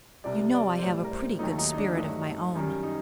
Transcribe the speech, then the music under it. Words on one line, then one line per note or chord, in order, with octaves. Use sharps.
You know I have a pretty good spirit of my own.
C2 C3 G3 D5
D5
C5
A2 G3 D5
A#4
C5
D#2 D#3 F#3 A3 D#4
D#4
D#4
D4
G2 F#3 A3 D#4
F#2 D#3 G3
D#4